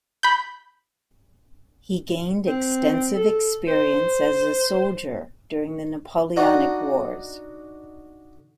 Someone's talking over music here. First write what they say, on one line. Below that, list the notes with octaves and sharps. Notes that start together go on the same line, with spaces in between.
He gained extensive experience as a soldier during the Napoleonic Wars.
B5 G6
C4
A4
C5
D4 D#4 F#4